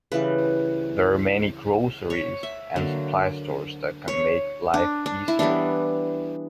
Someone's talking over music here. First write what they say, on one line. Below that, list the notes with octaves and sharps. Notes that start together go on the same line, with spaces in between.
There many groceries and supplies stores that can make life easier.
C#3 E3 G3 B4
C#5
E5
D3 F#3 A#3
C#5
D4
D4
E4
E3 G3 B3 D4